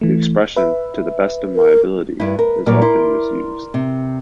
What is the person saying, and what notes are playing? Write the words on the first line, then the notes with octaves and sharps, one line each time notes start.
The expression "to the best of my ability" is often misused.
E3 A3
B4 E5
A#4
G2 E4 B4
A#4
A#2 F#3 G3 A#4 D5
E4 C6
C3